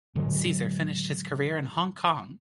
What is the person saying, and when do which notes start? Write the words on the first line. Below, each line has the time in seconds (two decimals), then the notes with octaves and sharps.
Caesar finished his career in Hong Kong.
0.15 A2 D3 F#3 G#3